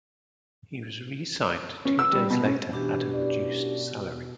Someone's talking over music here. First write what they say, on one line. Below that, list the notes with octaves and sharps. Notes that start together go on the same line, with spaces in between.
He was re-signed two days later at a reduced salary.
C#4
E6
G3
B2
C#4
B2 E3 D4 G4
F#2 E4 D5